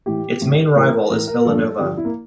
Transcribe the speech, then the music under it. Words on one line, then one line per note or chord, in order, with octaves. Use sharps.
Its main rival is Vila Nova.
A2 E3 G4
A2 E3
A2 E3 A#4
A2 E3 A#4
A#4
G2 D3 F3 A4
G2 D3 F3 G4
E4
A#3